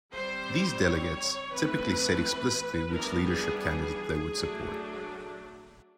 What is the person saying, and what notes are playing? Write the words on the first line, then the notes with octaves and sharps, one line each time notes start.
These delegates typically said explicitly which leadership candidate they would support.
G3 C4 C5
C#5
E3 A3 C4 B4
E3 G3 B3 D4 A#4
G#4
G#4
F#3 A3 D4